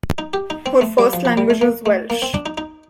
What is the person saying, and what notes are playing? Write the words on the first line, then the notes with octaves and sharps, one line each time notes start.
Her first language is Welsh.
D#4
G4
D#4
C4
A3
G3
F3
F3
G3
A3
A#3
A3
A#3
C4
D4
D#4
D#4